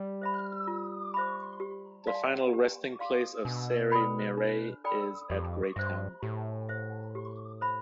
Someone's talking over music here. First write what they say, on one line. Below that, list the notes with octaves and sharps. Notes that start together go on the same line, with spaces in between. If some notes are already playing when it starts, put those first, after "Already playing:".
The final resting place of Sarie Marais is at Greytown.
Already playing: G3
C5 E5 B5
F4
C5 E5 B5
G4
D5 F5 C6
G4
D5 F5 C6
B2 D4
A4 D5 G5 B5
D4
A4 D5 G5 B5
F2 G4
G2 C5 E5
A2 G4
C5 E5
G4
C5 E5 B5